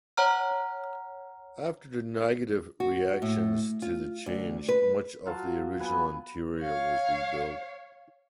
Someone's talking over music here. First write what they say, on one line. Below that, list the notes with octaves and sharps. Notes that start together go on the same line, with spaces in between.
After negative reactions to the change, much of the original interior was rebuilt.
C#5 F#5 A#5 F6
F#4
A2
F4
D2
B4
F#3 F4 A5
B3 B4 G#5
C#5 F5